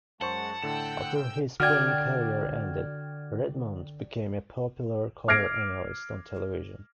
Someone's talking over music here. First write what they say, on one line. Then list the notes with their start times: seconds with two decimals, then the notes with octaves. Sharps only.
After his playing career ended, Redmond became a popular color analyst on television.
0.21 F#2 G#3 F#4 C5 F#5 A5 C#6
0.63 A2 D3 G5 E6 E7
1.60 D3 F#4 D5 G5 F6 G#6
5.28 D6 F6 G#6 A#6 C7 D7